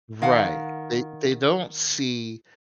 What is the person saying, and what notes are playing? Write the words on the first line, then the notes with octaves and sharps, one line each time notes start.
Right, they they don't see
D#3 F5 F#5